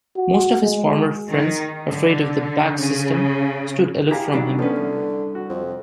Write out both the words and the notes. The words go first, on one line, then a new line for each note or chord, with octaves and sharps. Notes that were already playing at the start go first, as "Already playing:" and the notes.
Most of his former friends, afraid of the Bach system, stood aloof from him.
F#4
G#3
D#3
D3
C#3
E4 G4 G#4 F5 A#5
D#3 F#3 G3 D4 D5
B2 D3 F3 B3 C#4 B4
C2
F#4
F2